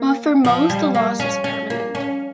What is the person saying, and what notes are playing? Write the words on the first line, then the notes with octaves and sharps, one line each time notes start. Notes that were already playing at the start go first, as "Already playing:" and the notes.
But for most, the loss was permanent.
Already playing: A#3
F3
G3
A#3
C#4
C#4
A#3
C#4